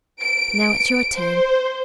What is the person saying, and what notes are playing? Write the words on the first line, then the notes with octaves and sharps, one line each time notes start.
Now it's your turn.
D7
C5